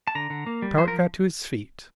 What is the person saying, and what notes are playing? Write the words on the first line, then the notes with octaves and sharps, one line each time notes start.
Powart got to his feet.
A5
D3 A#5
D3
A#3
G3
F3 C5
A#4